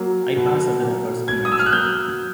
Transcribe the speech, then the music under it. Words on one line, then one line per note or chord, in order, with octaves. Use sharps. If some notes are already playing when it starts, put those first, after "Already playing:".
I pass other efforts unmentioned.
Already playing: F#3 A#3
B2
F#3 A#3
B2 G#6
D#6
E6
F6
F#6
F#3 A#3 G6